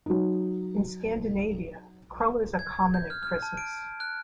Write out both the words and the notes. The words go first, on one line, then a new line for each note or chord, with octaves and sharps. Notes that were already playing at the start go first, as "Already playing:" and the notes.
In Scandinavia crullers are common at Christmas.
F#3 D#4
G#6
G6
F6
F6
A5
D7
F#6